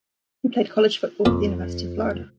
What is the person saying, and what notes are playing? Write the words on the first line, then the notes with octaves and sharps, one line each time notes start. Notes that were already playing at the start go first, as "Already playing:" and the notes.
He played college football for the University of Florida.
F2 A#2 D5